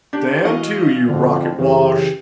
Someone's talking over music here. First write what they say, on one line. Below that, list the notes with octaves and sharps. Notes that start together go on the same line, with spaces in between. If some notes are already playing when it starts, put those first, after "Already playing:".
"Stand to, you rocket wash!"
D4 G4
E3 F#4 D#5 F5
F2 D3
F#2 C#3 E3 C#4 G4